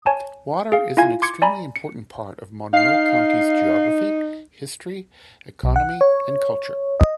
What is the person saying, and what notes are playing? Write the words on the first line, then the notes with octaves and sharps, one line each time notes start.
Water is an extremely important part of Monroe County's geography, history, economy, and culture.
C#5 G#5 A5
G#4 F5
E4 F4 F5 G#5 G#6
C6 D6 G#6 C#7
D5 G#5 A#5 B5
C#7
D#4 F5 C7
B1
F#5
C#5
D#5